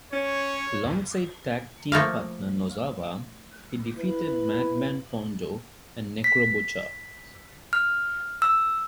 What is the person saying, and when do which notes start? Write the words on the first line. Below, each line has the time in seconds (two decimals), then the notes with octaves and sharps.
Alongside tag team partner Nosawa, he defeated Mad Man Pondo and Necro Butcher.
0.13 C#4 C#5
1.92 F3 A3 A#3 F5
3.97 E4 B4
6.24 B6
7.73 F6
8.42 E6